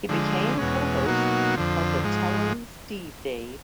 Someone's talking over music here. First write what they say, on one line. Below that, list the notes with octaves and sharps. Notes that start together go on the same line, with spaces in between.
He became co-host of the Tell 'Em Steve-Dave!
D3 F3 G#3
E2 B2 G#3 C#4
B2 F#3 A#3 D#4 F#4
F2 D3 F3
G#2 F3 G#3